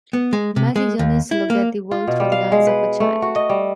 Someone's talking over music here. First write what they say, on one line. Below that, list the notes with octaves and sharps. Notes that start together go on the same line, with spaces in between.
Magic Journeys looked at the world through the eyes of a child.
B3
G#3
C3
G#3
D#2
E4
A#3
F4
B2
G3
F5
G#3
B4
A3
F#4
D#5
G3